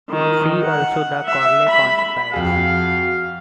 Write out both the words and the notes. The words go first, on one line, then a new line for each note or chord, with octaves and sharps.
See also "The Corley Conspiracy".
D#3
F#5
E5
B5
F2 F#4 G#4 F5